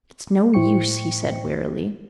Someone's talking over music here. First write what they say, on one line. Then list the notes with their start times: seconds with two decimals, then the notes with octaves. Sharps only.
"It's no use," he said wearily.
0.54 A2 E4 C5 G5 C#6 C#7